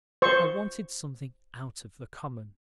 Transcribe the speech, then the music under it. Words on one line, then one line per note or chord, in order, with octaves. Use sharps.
I wanted something out of the common.
C5 C#6